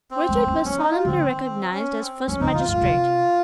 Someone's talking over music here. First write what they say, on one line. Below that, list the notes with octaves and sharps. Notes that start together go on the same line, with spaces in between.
Richard was solemnly recognised as first magistrate.
C4
G#3
C#4
C4 C#4
D#4
F4
C#3 C4
D#3
C#4
C4
F3 C#4
C#3 D#4
C3 F4
G#2 F4
C3